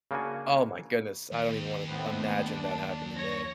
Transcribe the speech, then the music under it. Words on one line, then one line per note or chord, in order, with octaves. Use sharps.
Oh my goodness, I don't even wanna imagine that happen to me,
C#3 A#3 D4 F#4 G#5
D#2
A2 B3 C4
D4
C#5 A#6